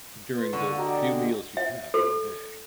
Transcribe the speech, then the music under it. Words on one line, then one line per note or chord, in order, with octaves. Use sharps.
during the few meals you have in the day.
F4 B4
D3 A#3 F#5 C#6 D#7
F#4 G4 D5 D#5 A#5
G#5
E5
A4